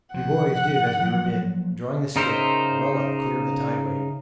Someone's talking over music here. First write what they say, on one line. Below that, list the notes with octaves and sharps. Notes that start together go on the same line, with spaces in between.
We boys did as we were bid, drawing the skiff well up clear of the tideway.
C3 F3 F#5
F3 F#3 A#3
C#3 D#4 A#4 C5 E5